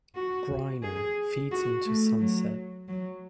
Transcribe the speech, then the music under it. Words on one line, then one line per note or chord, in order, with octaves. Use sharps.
Greiner, feeds into Sunset.
F#4
G#4
F#4
A3
F#3
F#3